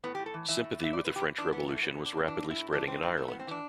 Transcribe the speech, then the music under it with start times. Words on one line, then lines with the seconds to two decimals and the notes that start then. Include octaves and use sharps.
Sympathy with the French Revolution was rapidly spreading in Ireland.
0.04 A2 B3
0.15 G4
0.19 A2
0.26 A4
0.34 E3
0.48 E3 E5
0.64 A2
0.79 E3
0.84 E5
0.93 B2 D5
1.05 B4
1.08 B2
1.16 G4
1.23 B2
1.38 E3 D4
1.52 E3 B3
1.68 E3 A3
1.83 B2 B3
1.98 B2
2.05 D4
2.13 B2 C4
2.28 E3 D4
2.43 A2
2.50 E4
2.58 A2
2.72 E3 D4
2.87 E3 C4
3.02 A2 C4
3.17 A2 A3
3.28 B3
3.32 A2
3.39 C4
3.47 E3 D4